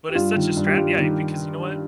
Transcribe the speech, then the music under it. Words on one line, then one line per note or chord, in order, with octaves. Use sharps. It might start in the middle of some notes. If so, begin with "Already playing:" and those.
But it's such a strat yeah, because you know what?
G4
G2 F4
D#3
G2
G4
G2 F4
D#3